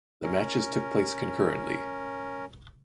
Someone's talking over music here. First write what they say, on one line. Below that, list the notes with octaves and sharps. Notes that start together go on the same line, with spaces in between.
The matches took place concurrently.
C#4 A#4